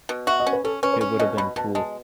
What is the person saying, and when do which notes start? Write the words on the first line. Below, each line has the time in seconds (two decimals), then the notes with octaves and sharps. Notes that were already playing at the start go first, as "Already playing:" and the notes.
It would have been cool.
0.09 B2
0.27 F#4 E5
0.40 D#5
0.47 C#4
0.53 B4
0.64 C#4 A4
0.83 C#4 B4
0.93 B4
1.01 C#4 C#5
1.19 B2 D#5
1.37 B2 B5
1.56 B2 A5
1.75 G#3 A5